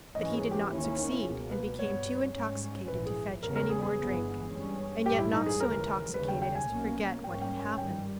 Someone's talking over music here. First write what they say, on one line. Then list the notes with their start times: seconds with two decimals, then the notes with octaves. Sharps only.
But he did not succeed, and became too intoxicated to fetch any more drink, and yet not so intoxicated as to forget what had happened.
0.15 G#2 E3 A#3 C#4 D#5
0.34 G#4
0.51 G4
0.70 D#2 D#3 A#3 C#4 E4
0.83 E4
0.97 D#4
1.11 E4
1.24 C#2 B2 A#3 G#4
1.51 B4
1.79 G2 G3 B3 C#5
2.34 G#2 G3 C#4
2.87 A#1 G#2 E3 B4
3.06 G#4
3.42 E2 C#3 G3 B3 A#4
3.55 A#4
3.69 G#4
3.83 G#4
3.96 G1 G2 E3 G#3 B3
4.52 G2 G3 C#4
5.06 A#1 G#2 E3 G3 G4
5.19 E4
5.33 D#4
5.46 G#4
5.60 D#2 C#3 E3 A#4
6.14 D#2 C#3 G3 B4
6.28 G5
6.42 G5
6.55 G#5
6.69 B1 B2 A#3 C#4
7.23 G#2 G3 A#3 C#4 G5
7.42 G5
7.60 G#5
7.78 G2 D#3 G3 G5